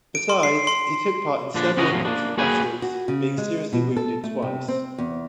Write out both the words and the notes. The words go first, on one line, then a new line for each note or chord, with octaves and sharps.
Besides, he took part in several important battles, being seriously wounded twice.
D7
C6
C7
C6
A#2 D3 F3 D4
C#3 C#4 F#4 A#4 D#5 A#5
E2 A2 F3 F#3
A#3 D4
A#3 F#4 G#4 B4 G5 G#5
F#4
C#3
G#3
B2
A4
A3
C3
C4
E2